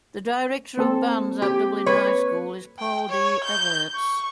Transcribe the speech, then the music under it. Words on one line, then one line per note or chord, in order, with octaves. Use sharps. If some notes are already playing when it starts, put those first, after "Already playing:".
The director of bands at Dublin High School is Paul D. Everts.
A#3 C4 A4
G4
B4 C#5
G5
C#5
G6
C#6